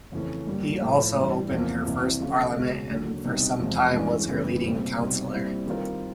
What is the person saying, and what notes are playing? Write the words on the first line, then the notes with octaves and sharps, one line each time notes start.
He also opened her first parliament and for some time was her leading councillor.
F2 C#3 E3 A3 C#4
G2 D3 G3 A#3
A2 F3 A3
G2 E3 G3
E2 C3 F3 A#3
C2 C3 E3
C#3 F3 A3 C#4 F4
C#2 B2 G#3 C#4 F#4
D#2 D3 F#3
C2 B2 G3 C4 D#4
E2 C3 F3 G#3
G2 E3 G#3 C#4
F#2 C#3 E3 G3 B3
C2 A#2 G3 C4
C2 B2 G3 C4 D#4
A#2 G3 C4 E4
D#3 G3 C4 F4 A#4